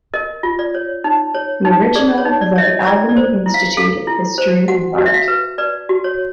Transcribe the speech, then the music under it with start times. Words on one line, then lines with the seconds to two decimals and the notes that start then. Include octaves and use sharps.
The original is at the Albany Institute of History and Art.
0.14 A#4 D#5
0.43 F4
0.59 D5
0.75 C#5
1.04 D#4
1.35 C#5
1.65 D#4
1.95 G#4 D5
2.18 C#5
2.25 D#4
2.41 D5
2.56 C#5 E5
2.63 D#5
2.86 E4 D5
3.09 D5
3.17 C5
3.46 E4
3.54 F5
3.77 A4 F5
4.07 E4
4.38 C5
4.68 F#4 F#5
4.98 F#4
5.06 E5
5.14 F5
5.28 B4
5.58 B4 D5
5.89 F#4
6.04 C#5